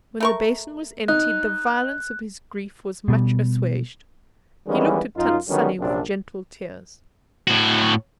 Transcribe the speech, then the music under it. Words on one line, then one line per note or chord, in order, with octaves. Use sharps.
When the basin was emptied the violence of his grief was much assuaged; he looked at Tant Sannie with gentle tears.
A3 A#4 C#6
D#4 F#6
B2 G3
D#3 E3 G3 G#3 B3 C#4
F#2 D#4 F4
D3 D#3 F#3 G3 B3 C#4
A#1 F#2 C3 C4 D4
A2 F#4